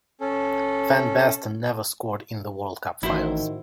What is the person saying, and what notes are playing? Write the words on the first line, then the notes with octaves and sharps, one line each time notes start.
Van Basten never scored in the World Cup Finals.
C#4 A4
A1 A2 D#3 E4 F#4 C5